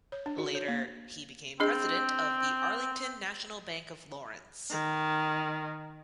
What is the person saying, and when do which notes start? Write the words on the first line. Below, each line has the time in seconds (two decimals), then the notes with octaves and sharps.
Later, he became president of the Arlington National Bank of Lawrence.
0.12 C#5
0.26 D4
0.38 F#4
0.55 C#5
0.68 A#3
1.60 C4 D4 G#4 D#5
4.71 D#3